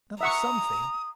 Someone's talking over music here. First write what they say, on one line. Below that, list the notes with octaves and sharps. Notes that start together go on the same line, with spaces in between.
That was something.
E5 F#5 A#5 C#6 D#6